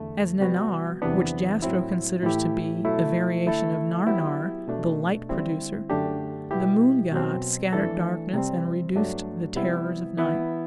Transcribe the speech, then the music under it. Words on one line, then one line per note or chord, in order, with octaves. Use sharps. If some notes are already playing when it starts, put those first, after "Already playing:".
As Nannar, which Jastrow considers to be a variation of "Narnar", the "light producer", the moon god scattered darkness and reduced the terrors of night.
Already playing: E2 D3 A3
C3 G3 B3 F#4
E2 C3 E3 B3 D4
A2 F#3 C4 E4
A2 E3 A3 E4 G4
B2 F#3 A3 E4
D3 A3 E4 A4
F#3 B3 E4 G4
B2 A3 D4
D3 G3 C4 E4
F#2 D3 A3 D4 G4
B2 G3 B3 E4 G4
B2 F#3 C4
E3 A3 D4 A4
C3 G3 C4
G2 F#3 A3 D4
C3 G3 B3 E4
E3 B3 E4